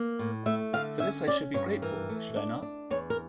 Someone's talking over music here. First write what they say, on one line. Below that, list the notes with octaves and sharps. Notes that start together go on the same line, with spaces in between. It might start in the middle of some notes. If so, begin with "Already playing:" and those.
For this I should be grateful, should I not?
Already playing: A#3
A2
A3 E5
D3 F5
C#4 E5
C#4 D5
G2 C#5
E3 A#4
A3
D4
D4
E2 C#5
A#4